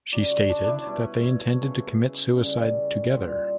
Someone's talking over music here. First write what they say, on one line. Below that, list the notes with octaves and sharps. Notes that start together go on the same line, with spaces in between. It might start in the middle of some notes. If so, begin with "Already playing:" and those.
She stated that they intended to commit suicide together.
C#3 F#3 D5
F#4
D4
D4 E4
B2 G3 B4 C#5
C#5
C#3 F#3
C#3 G3
A#2 G3